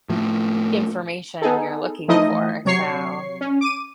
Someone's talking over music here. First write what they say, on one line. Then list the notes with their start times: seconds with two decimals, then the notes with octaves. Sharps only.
information you're looking for, so,
0.09 A2 F3
1.42 B3 D#4 G#4 A4
2.08 E3 F3 A3 D#4 E4 D#5
2.65 C3 F#3 C#5 C#6 C7
3.41 C#4
3.61 D6 D#7